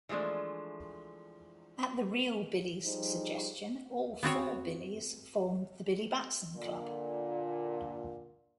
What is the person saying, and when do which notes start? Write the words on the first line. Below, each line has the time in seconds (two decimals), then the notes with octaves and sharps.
At the "real" Billy's suggestion, all four Billys form the Billy Batson Club.
0.09 E3 F3 G#3 A3 D4
2.85 F3 G3 D#4 G#4 C5
4.23 B3 C4 F#4 C#5
6.56 A#2 D3